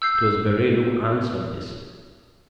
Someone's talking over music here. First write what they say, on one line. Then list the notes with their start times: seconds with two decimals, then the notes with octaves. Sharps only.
It was Beryl who answered this.
0.02 E6 G6 C7